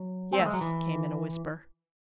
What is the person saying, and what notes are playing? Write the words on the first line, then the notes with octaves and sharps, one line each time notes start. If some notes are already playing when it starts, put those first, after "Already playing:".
"Yes," came in a whisper.
Already playing: F#3
C4
A3
G#3
F#3
E3